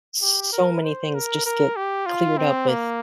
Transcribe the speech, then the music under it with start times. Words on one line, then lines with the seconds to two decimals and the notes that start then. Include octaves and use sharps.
S so many things just get cleared up with
0.22 G4
0.53 A#4
0.84 C5
1.15 A#4
1.46 A#4
1.76 G4
2.07 F4
2.38 C4
2.69 A#3